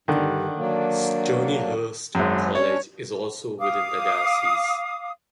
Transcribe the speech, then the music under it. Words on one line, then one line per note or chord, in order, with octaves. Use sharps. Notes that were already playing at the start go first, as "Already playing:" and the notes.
Stonyhurst College is also within the diocese.
G2 D3 D#3
F#3 A#3 D4
G#1 F#2 G#4
C#4 D4 C#5
F5 D6 D#6